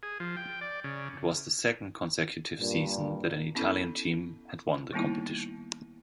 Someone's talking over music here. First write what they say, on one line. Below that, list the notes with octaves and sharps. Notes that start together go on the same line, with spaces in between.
It was the second consecutive season that an Italian team had won the competition.
G#4
F3
G5
D5
C#3
G2 A#2
B3 C#4 E4 A4
D#3 G3 A#3 B3 D#4 E4